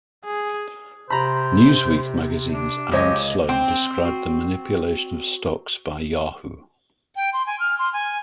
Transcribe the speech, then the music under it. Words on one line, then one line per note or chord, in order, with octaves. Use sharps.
"Newsweek" magazine's Allan Sloan described the manipulation of stocks by Yahoo!
G#4
C3 C5 A#5 B5
D4
C#2 G4 C#5 D#5
C4 G5 C6
F#4
G5
C6
G#5
F6
C6
G#5